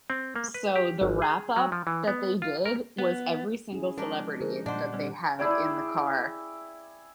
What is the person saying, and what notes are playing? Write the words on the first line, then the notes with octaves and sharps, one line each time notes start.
So, the wrap-up that they did, was every single celebrity that they had in the car
C4
A#3
B4
G4
G#1
G#4
F#3
F3
E3
B3
F4
A#4
B3
C#4 E4 G#4
F3 G#3 D4 D#4 A#4
D3 G#4 A#4 C5
A#2 G3 D4 C5 D5 D#5 F#5
G3 C4 C#4 A4
E4 G#4 D5 G5